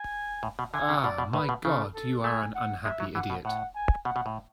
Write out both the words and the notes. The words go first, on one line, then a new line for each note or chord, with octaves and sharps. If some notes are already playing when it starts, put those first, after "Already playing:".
Ah, my God, you are an unhappy idiot!
Already playing: G#5
A2
B2
D3 G#5
C#3
B2 D5
B2
A2 B4
B2
C#3 A4
A4
A3 G#5
F#5
G#3 E5
F#3
E3 F#5
B2
A2 F#5
G#5
B2 F#5
B2
A2